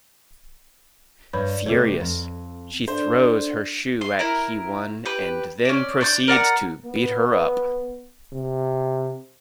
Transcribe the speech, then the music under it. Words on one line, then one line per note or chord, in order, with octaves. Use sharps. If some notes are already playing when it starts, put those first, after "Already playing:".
Furious, she throws her shoe at Hee-won and then proceeds to beat her up.
G2 B4 C#5 B5
C3 A3 A4 B4 C#5
F2
D4 A4 C5 D5
C6
E4 A#4
G4 B4
C#4 D5
D4 C#6 G6
A#4 D5 F#5 A#5
B3
C3